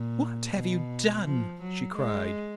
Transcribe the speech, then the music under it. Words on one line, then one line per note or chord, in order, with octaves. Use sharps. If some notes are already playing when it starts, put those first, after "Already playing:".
'What have you done?' she cried.
Already playing: A#2
B2
F3
F#3
G#3